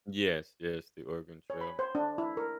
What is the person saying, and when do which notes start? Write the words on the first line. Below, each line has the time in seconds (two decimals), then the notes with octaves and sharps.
Yes, yes. The Oregon Trail.
1.50 C#5
1.61 B5
1.79 C5
1.95 D4
2.18 E4
2.37 A#4